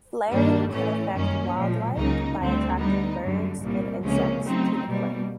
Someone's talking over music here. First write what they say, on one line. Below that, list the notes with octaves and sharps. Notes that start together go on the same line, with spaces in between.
Flaring can affect wildlife by attracting birds and insects to the flame.
G2 D#3 G3 A#3 D4
A2 E3 A3 C#4
F#2 D#3 G3 A#3 C#4
A#2 F3 G#3
C#2 C#3 F#3 A#3 D#4
D2 D3 G3 C4
D3 G3 B3 D#4
F#2 D3 G3
C2 A#2 G3 A#3
C#2 C3 F3 A#3 C#4
C#3 F#3 A3 C4 D#4
B2 G3 A#3